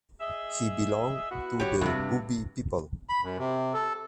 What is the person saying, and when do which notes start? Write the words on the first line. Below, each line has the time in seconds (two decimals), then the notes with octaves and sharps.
He belonged to the Bubi people.
0.21 G#4 D#5 E5
1.30 B3 E4 F#4
1.60 G4 C#5
1.81 G2 C3
3.09 B5
3.23 F#2
3.39 C3
3.74 A4